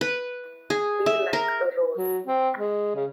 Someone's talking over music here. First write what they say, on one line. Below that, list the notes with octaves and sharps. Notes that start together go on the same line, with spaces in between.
Be Like a Rose!
B4
G#4
E5
A#4
F#3
C4
G#3
C#3